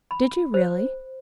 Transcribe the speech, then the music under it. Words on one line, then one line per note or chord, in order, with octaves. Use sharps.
"Did you, really?"
B5
C5